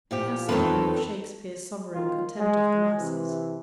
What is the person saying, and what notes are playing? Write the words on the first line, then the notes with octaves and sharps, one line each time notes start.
He has something of Shakespeare's sovereign contempt of the masses.
A#2 F3 G4
E2 D#3 C4 F4 A4 B4 C#5 A5
B1 D#3 F4
G#3
C3 E3